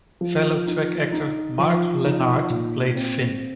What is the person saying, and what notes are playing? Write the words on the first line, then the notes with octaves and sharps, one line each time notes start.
Fellow Trek actor Mark Lenard played Finn.
F3
D#4
D#4
F3
D#4
A#2
C4